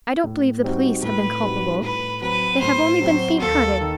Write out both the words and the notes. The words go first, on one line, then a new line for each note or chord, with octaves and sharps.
I don't believe the police have been culpable; they have only been faint-hearted.
A2
G3 C4 D#4 F#4
A2 B4
G3 C4 D#4 F#4
A2 B4
F#3 C4 F#4 B4
A2 C5
F#3 C4 F#4
D#2 A4
D#3